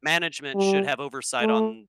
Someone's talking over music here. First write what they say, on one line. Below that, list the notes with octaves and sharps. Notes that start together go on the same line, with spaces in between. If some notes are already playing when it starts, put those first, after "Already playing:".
Management should have oversight on
G3
A3